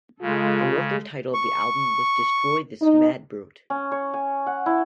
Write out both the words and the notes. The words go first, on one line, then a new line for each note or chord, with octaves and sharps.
The working title of the album was Destroy This Mad Brute!
C#3 G#3 F4 A4
C#6
D#4
C#4
C#5
G#5
F#5
E4